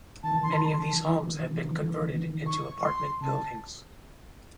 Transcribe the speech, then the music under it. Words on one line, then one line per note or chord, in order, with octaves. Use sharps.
Many of these homes have been converted into apartment buildings.
D#3 A5
E3
D#3
E3 C6
D#3 A5
E3 C6
D#3
E3 A5
D#3
E3
D#3
E3
D#3
E3
D#3
E3
D#3
E3
D#3
E3
D#3
E3
D#3
E3
D#3
E3
D#3
C#6
C6
C#3 A5